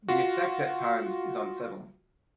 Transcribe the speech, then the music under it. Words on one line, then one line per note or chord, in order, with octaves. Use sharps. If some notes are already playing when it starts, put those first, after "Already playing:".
The effect at times is unsettling.
F4 F#4